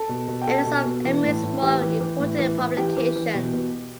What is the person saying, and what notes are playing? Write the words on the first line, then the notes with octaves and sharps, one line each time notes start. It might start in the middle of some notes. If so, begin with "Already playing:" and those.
A list of Emery's more important publications.
Already playing: A4 A5
B2
B2
G5
B2 A4 A5
B2
B2
E3
A2
A2
E3 G4 G5
E3
E3
A2
E3
E3
E3 G4 G5
E3
E3
B2
B2